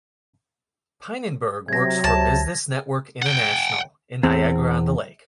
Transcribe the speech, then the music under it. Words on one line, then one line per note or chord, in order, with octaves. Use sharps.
Pynenburg works for Business Network International in Niagara-on-the-Lake.
C3 F#3 G#6 A#6
C#2 A5
F#5 G5
E2 C4